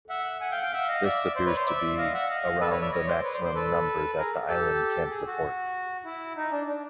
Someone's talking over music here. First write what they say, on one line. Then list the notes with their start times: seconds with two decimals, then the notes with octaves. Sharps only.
This appears to be around the maximum number that the island can support.
0.09 E5 F#5
0.41 F#5 G#5
0.51 F5 G5
0.58 F#5
0.62 F5 G5
0.73 E5 F#5
0.88 D#5 F5
1.04 D5 E5
1.35 C5 D5
1.46 B4 C#5
1.56 C5 D5
1.66 D5 E5
1.98 D#5 F5
2.13 E5 F#5
2.29 D#5 F5
2.60 A4 B4
2.71 B4 C#5
2.81 D5 E5
2.92 C#5 D#5
3.07 C5 D5
3.23 B4 C#5
3.34 C5 D5
3.44 C5 D5
3.54 A4 B4
4.17 G#4 A#4
4.48 G4 A4
5.10 G#4
5.27 F#4
6.05 E4
6.36 D#4
6.51 D4
6.68 D4